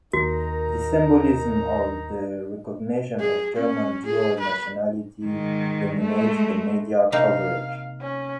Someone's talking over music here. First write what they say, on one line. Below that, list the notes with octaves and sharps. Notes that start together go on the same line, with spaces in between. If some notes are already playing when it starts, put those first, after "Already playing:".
The "symbolism of the recognition of German dual nationality" dominated the media coverage.
D#2 D#4 F#4 A#4 A#5
G#4
C#4
G#4
B4
G#2 D#3
G#3 A3
C3 A#3 D#4 F5
C#4